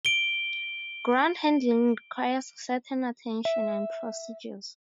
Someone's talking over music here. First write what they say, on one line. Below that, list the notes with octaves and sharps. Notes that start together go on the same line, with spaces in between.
Ground handling requires certain attention and procedures.
D7 G7
E5